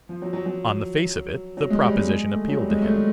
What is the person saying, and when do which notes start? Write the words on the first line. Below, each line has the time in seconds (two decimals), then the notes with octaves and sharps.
On the face of it, the proposition appealed to him.
0.09 F3
0.22 F#3
0.33 F#3
0.46 F#3
1.57 F#3
1.70 G#3
1.83 G3
1.96 G#3
2.07 G#3
2.32 A3
2.49 F#3
2.57 G3
2.70 G#3
2.82 A3
2.94 G#3